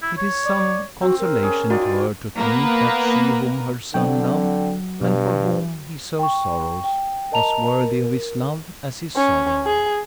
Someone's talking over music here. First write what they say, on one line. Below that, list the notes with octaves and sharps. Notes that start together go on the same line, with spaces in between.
It is some consolation to her to think that she whom her son loved, and for whom he so sorrows, was worthy of his love as his sorrow.
E4
C#5
D5
C4 F#4
A#4
C#4 G#4
D#3 F4 F#4 D5
A#3 B3 A#4 B4
D3 F#3 C4 G5
G2 B2
G5 C#6
G5
A#4 D#5 A5 A#5 F7
A#4
C#4
G#4